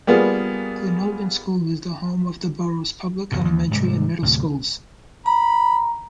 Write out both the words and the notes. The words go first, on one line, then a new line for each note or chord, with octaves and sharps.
Glenolden School is the home of the borough's public elementary and middle schools.
G3 A#3 B3 F4 G#4
G1 E2 B2
D#2
G#2 C3 F#3 G3
D2 A2 C3
A#5 B5